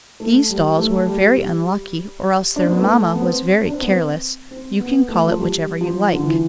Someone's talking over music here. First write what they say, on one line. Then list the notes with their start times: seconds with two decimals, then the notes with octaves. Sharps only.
These dolls were very unlucky, or else their mamma was very careless; you can call it whichever you like.
0.20 A3
0.50 G3
0.77 A3
1.06 G3
2.56 D4
2.63 C4
2.72 B3
2.79 A3
3.15 B3
3.22 C4
3.66 D4
3.74 C4
3.81 B3
3.88 C4
4.51 C4
4.80 B3
5.09 A3
5.27 F3
5.37 G3
5.81 F3
6.12 D3
6.23 E3